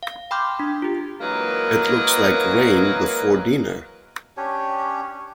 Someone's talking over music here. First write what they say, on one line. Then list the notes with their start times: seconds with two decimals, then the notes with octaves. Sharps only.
It looks like rain before dinner.
0.03 F5
0.31 G5 B5 C6 D6 F6 G6
0.59 D4
0.82 F4 G4
1.21 E3 F#3 G#3 A#3 A#4 B4
4.37 C#4 D4 G4 C#5